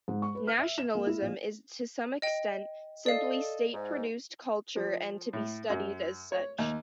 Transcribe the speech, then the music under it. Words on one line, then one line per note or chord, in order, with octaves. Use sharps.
Nationalism is to some extent simply state-produced culture, and to be studied as such.
G#2
C#6
B4
F6
E5
E7
A#3
E4
A#1
D#5 G5
A4 D5 D#5 F5
G#2
F3
A2
F#2
C#5
D#2